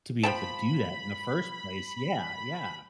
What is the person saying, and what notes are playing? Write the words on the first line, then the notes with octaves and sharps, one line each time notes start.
to be able to do that in the first place? Yeah, yeah.
F3 G5 A5 B5